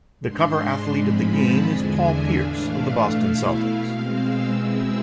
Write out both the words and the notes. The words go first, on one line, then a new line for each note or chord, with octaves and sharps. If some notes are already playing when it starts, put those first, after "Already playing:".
The cover athlete of the game is Paul Pierce of the Boston Celtics.
G#2 G#3 D4 C6
G#2 F3 G#3 C4 B5
A5
E2 D3 G#3 D4 G#5
E5
A2 E3 A3 D4 F5
B2 A3 E4
F5
B2 G#3 C4 F5
E6
B2 G#3 C4 E4 E6